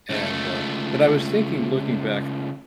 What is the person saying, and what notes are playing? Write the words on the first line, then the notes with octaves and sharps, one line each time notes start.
And uh but I was thinking looking back
C#2 A3